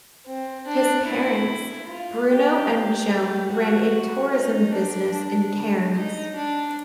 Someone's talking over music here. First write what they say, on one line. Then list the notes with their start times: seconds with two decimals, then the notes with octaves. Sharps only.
His parents, Bruno and Joan, ran a tourism business in Cairns.
0.26 C4
0.67 D4
1.07 E4
1.88 F4
2.29 G4
3.11 G4
3.51 F#4
4.32 D#4
4.72 D4
5.14 D4
5.94 D#4
6.35 D4